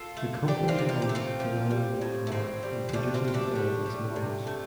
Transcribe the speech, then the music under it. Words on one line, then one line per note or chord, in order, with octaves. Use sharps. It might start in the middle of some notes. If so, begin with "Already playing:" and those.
The company owns the Landwind marque and produces all its models.
Already playing: F4 A4
A3
C3 D4 G4
C4 F4
C3
F4
G4
A3
C4 F4
F3
G3
A2
A3
A2 C4
G3
C4
G3 A3 D4
C4 F4
G3 F4
A3 D4
G3
G3
C3
A3